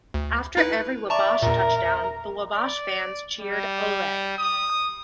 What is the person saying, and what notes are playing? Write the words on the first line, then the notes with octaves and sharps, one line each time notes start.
After every Wabash touchdown, the Wabash fans cheered Ole!
D2
D#4 E4 B4
D5 E5 A5 A#5 C#6
E2 A#2 A#4
D5
G3
D#6